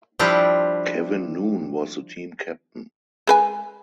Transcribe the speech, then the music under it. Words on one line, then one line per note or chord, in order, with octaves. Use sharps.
Kevin Noone was the team captain.
F3 G3 C4 D4 E4 G4
G#3 B4 G#5